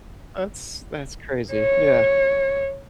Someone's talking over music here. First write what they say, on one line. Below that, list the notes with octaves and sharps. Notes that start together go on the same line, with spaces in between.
That's that's crazy, yeah.
C#5